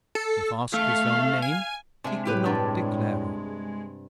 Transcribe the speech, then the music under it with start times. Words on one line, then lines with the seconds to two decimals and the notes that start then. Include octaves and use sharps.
If asked his own name, he could not declare it.
0.15 A4
0.74 A3 F5
1.42 G#5
2.04 C3 G#3 D4 E5
2.25 A2 E4 G4 B4
2.46 G2 D5